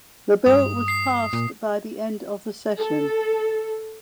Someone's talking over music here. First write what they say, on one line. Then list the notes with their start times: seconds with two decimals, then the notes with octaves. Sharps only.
The Bill was passed by the end of the session.
0.46 G2 D#6
0.88 C7
1.33 A#2
2.78 A4